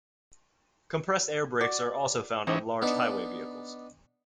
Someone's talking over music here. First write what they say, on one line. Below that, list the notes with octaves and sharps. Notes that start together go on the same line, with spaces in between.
Compressed air brakes are also found on large highway vehicles.
F#4 D5
E3 C4 C#4 D#4
B3 D4 D#4